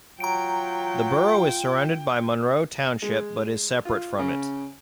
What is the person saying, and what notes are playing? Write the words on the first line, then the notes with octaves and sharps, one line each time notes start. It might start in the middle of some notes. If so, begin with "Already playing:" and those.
The borough is surrounded by Monroe Township but is separate from it.
F#3 F4 G5 A#5 D7
G#3
F4
C#3